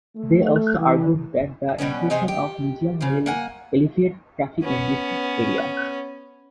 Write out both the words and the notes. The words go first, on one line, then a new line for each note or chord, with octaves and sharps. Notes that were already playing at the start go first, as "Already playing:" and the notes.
They also argued that the inclusion of Migeum will alleviate traffic in the area.
A3
E3
B2 G3 B3 C#4
C3 D#4 G#4 C5
G4
C#3 F3
A#3 F#5 G#5
B3 C#4